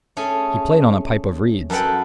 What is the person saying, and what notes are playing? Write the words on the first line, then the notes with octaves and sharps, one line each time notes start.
He played on a pipe of reeds.
A3 C#4 G#4
F#2 A4 B4 F#5 G5